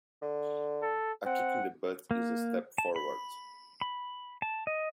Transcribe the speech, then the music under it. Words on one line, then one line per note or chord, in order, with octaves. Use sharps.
A kick in the butt is a step forward.
D3
A4
C4 F#5
A#3
A5
B5
B5
A5
D#5